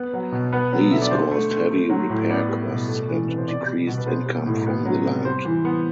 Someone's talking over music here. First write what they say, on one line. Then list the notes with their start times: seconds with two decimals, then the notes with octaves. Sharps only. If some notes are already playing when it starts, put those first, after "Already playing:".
These caused heavy repair costs and decreased income from the land.
Already playing: B3 B4
0.14 F#3
0.32 B2
0.52 B3 B4
0.73 F#3
0.91 D3 E5
1.02 D5
1.11 D3 C5
1.31 A3
1.51 A3
1.70 A3
1.90 F#3
2.10 A2
2.29 B3 D5
2.49 G3
2.69 B2
2.88 A3
3.08 E3
3.28 C3 B4
3.38 C5
3.48 B3 D5
3.67 G3
3.87 B2
3.98 B4
4.06 B3 C5
4.26 G3
4.46 A2
4.66 B3
4.86 F#3
5.05 C3
5.25 G3 C5
5.45 E3
5.65 B3